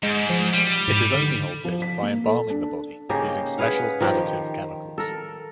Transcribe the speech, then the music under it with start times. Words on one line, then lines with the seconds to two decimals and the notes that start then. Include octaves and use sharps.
It is only halted by embalming the body using special additive chemicals.
0.03 G#2 G#3
0.30 F3
0.54 G3
0.88 G#2
1.14 D3
1.65 F3
1.82 B6
2.02 A#3
2.24 A4
2.50 D4
3.09 C#3 A#3 D#4 G4
3.58 G#4 B4 F5 F#5
4.01 D#3 F3 G4
4.98 A4 A#4